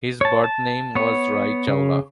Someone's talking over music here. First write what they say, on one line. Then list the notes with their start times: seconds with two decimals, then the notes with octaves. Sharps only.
His birth name was Rai Chawla.
0.21 C#5 A5
0.44 A5
0.95 B3 C#5
1.68 C#3